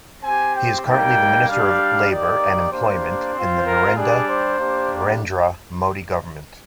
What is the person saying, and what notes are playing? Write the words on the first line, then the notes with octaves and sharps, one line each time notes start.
He is currently the Minister of Labour and Employment in the Narendra Modi Government.
C4 G4 G#5
G5
G3 A#3 D#4 G5
G3 D4 G4 F5
A#3 D#4 G4 D5
A#3 D4 G4 C5
C4 F4
A#4
G3 D4 G4 G#4
C5
A#3 D4 G4